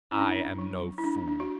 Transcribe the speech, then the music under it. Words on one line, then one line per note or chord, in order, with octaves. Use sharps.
I am no fool.
C#4 E4
D4
E4
F#3
E4
D4
D4
F#4